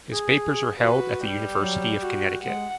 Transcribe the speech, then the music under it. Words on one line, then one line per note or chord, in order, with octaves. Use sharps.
His papers are held at the University of Connecticut.
G#4
F#4 B4
G3
F#3
F#4
G#3 F#5